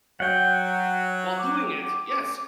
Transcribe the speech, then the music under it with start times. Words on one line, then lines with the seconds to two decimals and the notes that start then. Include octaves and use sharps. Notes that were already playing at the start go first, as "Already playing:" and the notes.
while doing it yes,
0.20 F#3 F#5 G5
1.39 D6